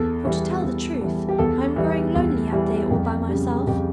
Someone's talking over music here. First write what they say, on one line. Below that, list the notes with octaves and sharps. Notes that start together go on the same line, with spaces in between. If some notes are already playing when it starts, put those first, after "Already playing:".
For to tell the truth, I am growing lonely up there all by myself.
Already playing: E2 A4
E3 G3
E2
E3 G3
G4
E2 A4
E3 G3
E2
E3 G3
F2
C#3 G3
F2 G4